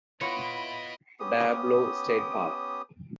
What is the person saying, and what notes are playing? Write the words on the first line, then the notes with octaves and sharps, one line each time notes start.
Diablo State Park.
B3 E4 F4 C#5 D#5 F#5 B5 D7
B3 C#4 G4 D#6